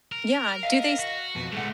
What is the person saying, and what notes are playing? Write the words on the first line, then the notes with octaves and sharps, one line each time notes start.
Yeah. Do they s
A#4
D#5 F5
F#4
F2 B2 B3
A2 D3 G#3 A3 F#5